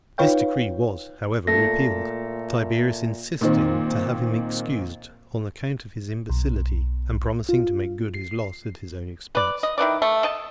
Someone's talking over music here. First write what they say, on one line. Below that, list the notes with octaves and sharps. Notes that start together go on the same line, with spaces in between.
This decree was, however, repealed; Tiberius insisting to have him excused on account of his imbecility, and promising to make good his loss at his own expense.
D#4 F4 B4 C#5 F5 G5
A#2 A3 A4 A#6
A#2 D#3 C4
B1
F4
C7
B4 D5
D#5
D#3 E4 B4 D5
A3
D#5 A5